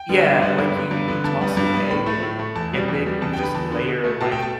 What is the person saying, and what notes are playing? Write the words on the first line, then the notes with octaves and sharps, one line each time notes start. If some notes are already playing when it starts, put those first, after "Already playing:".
Yeah, like, you you toss some egg in, and then you just layer, like,
Already playing: G5
D3 G3 B3
G2
D3 G3 B3
G2
D3 B3
G2
D3 B3
G2 A5
G3 B3
G2
G3 B3
A2 B5
A3
A2
A3
E2 A5
B2 G3
E2
B2 G3
E2 A5
G5
D3 B3 B5
E2 A5
D3 B3
B2
A3
B2 A5
A3 G5
A5